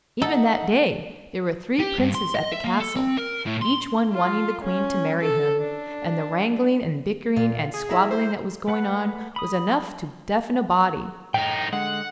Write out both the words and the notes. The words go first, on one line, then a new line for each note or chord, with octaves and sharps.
Even that day there were three princes at the castle, each one wanting the queen to marry him; and the wrangling and bickering and squabbling that was going on was enough to deafen a body.
D#4 A4 E5 F#5
G4
G2
C6
D#5
E5
A#3
A4
C4
A#4
A2
C6
F4
C#4
A4
D4
A#2 F4
G#4
E4 A#5
C5
A3 B4 F#5
B5 D#6
A2 D#4 G5
D3 G#3 F#5